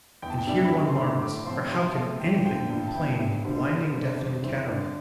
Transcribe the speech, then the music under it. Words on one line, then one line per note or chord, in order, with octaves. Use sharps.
And here one marvels; for how can anything be plain in a blinding, deafening cataract?
E2 G5
A5
G5
C3 G3 D4
B5
D3 A5
C6
A3 D4 B5
A2 D6
F3 C4 C6
C3 C6
F3 A3 A5
F2 G5
D3 F3 G5
G2 G5
A5
E3 B3 G5
G2 E5
D3 G3 D4 C5
A4
D3 B4
G3 D4 C5
D5
C5
F2
C3 E3 G3 C4
D3 D5